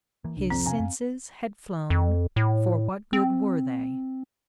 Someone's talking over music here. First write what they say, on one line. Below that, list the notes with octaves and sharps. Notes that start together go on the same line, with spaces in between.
His senses had flown, for what good were they!
E3 A#3
C2 D3
F2 C4
C3 D4 F5 G#5 A#5
F#2
F2
A2
C4